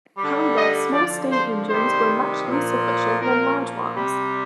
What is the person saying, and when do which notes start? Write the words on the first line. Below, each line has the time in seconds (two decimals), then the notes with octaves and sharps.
However, small steam engines were much less efficient than large ones.
0.18 D3 G3
0.55 D#5
0.93 D3 F3 D5
1.31 C5
1.69 C3 D#3 G3 C5
2.44 A#2 F3
3.20 A#2 F3 A#4
3.96 C3 G3